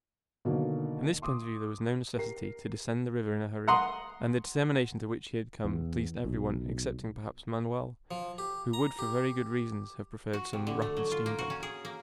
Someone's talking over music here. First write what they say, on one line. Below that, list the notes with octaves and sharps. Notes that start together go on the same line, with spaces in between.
From this point of view there was no necessity to descend the river in a hurry. And the determination to which he had come pleased every one, excepting, perhaps, Manoel, who would for very good reasons have preferred some rapid steamboat.
B2 D3 D#3 F#3 A#3
C6 D6 D#6
G4 A#4 C7
F#5 A#5 C6 D#6
E2
B1
F3
G4
A#5
G4
F#4
C3
D3
A3
F#3
F4
A#3
F#4
C#4
G#4
A#3